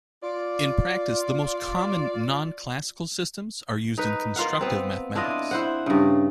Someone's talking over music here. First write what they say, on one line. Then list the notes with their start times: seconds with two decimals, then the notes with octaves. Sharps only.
In practice, the most common non-classical systems are used in constructive mathematics.
0.23 F4 D5
3.98 D#4 B4
4.36 A#3 F4 F5 F#5
4.61 B3 C4
5.15 D4 E4 F4 D#5
5.51 E4 C5 F#5
5.86 G2 C#3